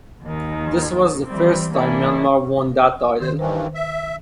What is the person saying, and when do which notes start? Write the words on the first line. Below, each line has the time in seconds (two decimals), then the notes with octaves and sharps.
This was the first time Myanmar won that title.
0.23 D#2 D#3
1.26 E3 G3 C4
1.74 E3 A#3 C#4 D4 E4
3.20 D#3 C5
3.39 G2 D#3 E3 B4 C5
3.75 E5